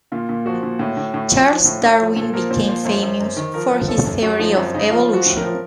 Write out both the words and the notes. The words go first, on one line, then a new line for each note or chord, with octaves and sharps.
Charles Darwin became famous for his theory of evolution.
A#2 F4
A#2
F3 F#4
A#2
A2
A2
A2
F3
F3
A2
A2
F3
A#2 A4
F3 A#4
A#2 C5
F3 C5
F#2 C5
F#2
F#2
D#3
F3 A#4
F3
F#2 A4
F#2
F#2 F#4
F3 D#4
F#2 C4
C#3 D#4
F3 F4
F3 F#4
A2
A#4
F3